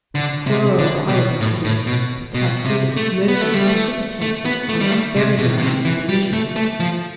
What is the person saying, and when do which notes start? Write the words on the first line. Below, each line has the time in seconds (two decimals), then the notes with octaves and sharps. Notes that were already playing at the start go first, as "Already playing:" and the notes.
The chloro-iodide of potassium and mercury precipitates it from very dilute solutions.
0.15 D3
0.47 C3
0.78 D3
1.09 B2
1.40 A2
1.64 A2
1.87 B2
2.34 B2
2.65 C3
2.97 A3
3.28 B3
3.41 A3
3.54 G3
3.67 A3
4.22 A3
4.45 B3
4.69 A3
4.80 G3
4.91 A3
5.16 C3
5.39 B2
5.58 B2
5.63 C3
5.85 E3
6.09 G3
6.33 A3
6.56 A3
6.80 F3